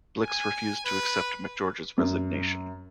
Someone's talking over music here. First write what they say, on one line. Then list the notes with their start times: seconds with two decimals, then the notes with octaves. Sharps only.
Blix refused to accept McGeorge's resignation.
0.21 G#5
0.85 B4
1.98 F#2